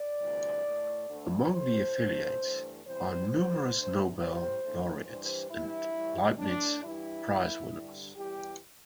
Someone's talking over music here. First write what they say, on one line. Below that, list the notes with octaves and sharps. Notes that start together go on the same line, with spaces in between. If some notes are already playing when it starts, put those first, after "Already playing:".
Among the affiliates are numerous Nobel laureates and Leibniz Prize winners.
Already playing: D5
D2 C3 E3 G3
A2 A3
D2 D3 A3
A2 A3 C5
G2 E3 A3
G2 E3 A3
E2 C3 E3 G3 C5
E2 D3 G3 C5
D2 D3 A3
A2 G3 C5
E2 D3 A3
G2 E3 G3 C5
G2 E3 G3 E4
A2 E3 G3
A2 A3 D4
G2 E3 G3 E4
E2 E3 A3
G2 D3 G3
E2 E3 G3 G4